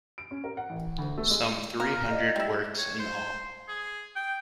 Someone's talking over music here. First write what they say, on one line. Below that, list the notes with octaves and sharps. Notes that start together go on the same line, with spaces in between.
Some three hundred works in all.
D7
C#4
A#4
F#5
A1
D2
A3
G#3
D#7
A#4 F5
D5 D#5 F5
G3 E4
C#5
C5
G#4
G5